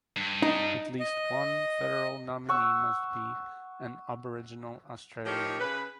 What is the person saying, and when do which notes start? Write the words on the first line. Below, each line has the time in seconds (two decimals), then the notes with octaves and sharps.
At least one Federal nominee must be an Aboriginal Australian.
0.16 G2
0.42 D#4
1.00 D#5
2.49 F#5 C#6 E6
5.26 F3 D#4 G4 A#4 C#5
5.59 C#3 B4